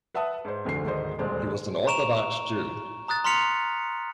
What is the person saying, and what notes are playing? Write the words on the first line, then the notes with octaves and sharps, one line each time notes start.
He was an Orthodox Jew.
B4 E5 F#5 A5 D#6
G#2 C5
F1 D2 D3 C7
D2 G#2 D#3 C5 D#5
D#1 D2 G#3 C5 D5
A#5 C#6 D7 E7 F7
A#5 D#6 F#6 A6
A#5 C6 F6 B6 C#7 F7